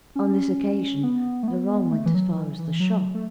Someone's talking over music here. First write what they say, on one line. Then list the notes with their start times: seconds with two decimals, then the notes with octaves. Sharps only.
On this occasion, Laurent went as far as the shop.
0.15 C#4
1.03 B3
1.43 A3
1.48 B3
1.92 A3
2.06 E3
2.15 F#3
2.36 E3
2.58 E3
2.80 F#3
3.15 A3